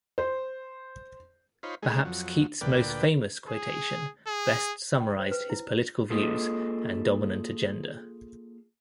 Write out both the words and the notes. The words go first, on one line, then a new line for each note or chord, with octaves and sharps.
Perhaps Keitt's most famous quotation best summarized his political views and dominant agenda.
C5
D#4 F4 C5 C#5 B5
G#3 A3 D#4 G#4
F2 F#3
D2 A#2 B4 D5 G5
G#4
G#4
G5
C5
B4
E4
A#3 F4 G#4 A4